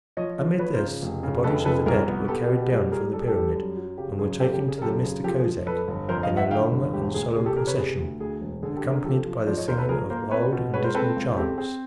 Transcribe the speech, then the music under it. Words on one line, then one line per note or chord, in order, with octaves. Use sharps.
Amid this the bodies of the dead were carried down from the pyramid, and were taken to the Mista Kosek in a long and solemn procession, accompanied by the singing of wild and dismal chants.
F3 C#5 D#5
F3
F3 B4 C#5
A#4 C5
C#3
F1
C#3
F1 A4 B4
F3 A4 B4
C2 G#4 A#4
B3
B3 G4 A4
G4
B2
G4
G3 G#4
G3 G#4 A#4
G3 A4
G#4
G4 A4
G3
F#2
F#3
C#3 G4
F#2 G#4
C#3 G4 A4
G4
C#3
G#4
A#4
F#2 G4 A4
C#3 G#4
F3 G4 A4
G#4
F3
F2 A4 B4
G1
F2 A#4 C5
D#5 F5
F3
E5 F#5
D3 F5 G5
G1
E1 G4
D2 G#4
C3 G#4
G4 A4
C3 G#4 A#4
B4 C#5
C3 G#4
D2
D2 G#4
E1
D3 G#4
G4 A4
D3
G#4 A#4
F3 G4 A4
F3
F3 C5 D5
C#5 D#5
D#2 A#4 C5
A4 B4
F3 G#4 A#4
A#3 A#4 C5
C4 B4 C#5
B2
G#3 B4 C#5
A#4 C5
C4 A4 B4
C#2
C4 G4 A4
C4 G#4